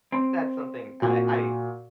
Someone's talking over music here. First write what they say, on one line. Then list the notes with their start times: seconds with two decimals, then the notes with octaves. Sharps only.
that's something I I
0.12 C4
1.02 A#2 F#4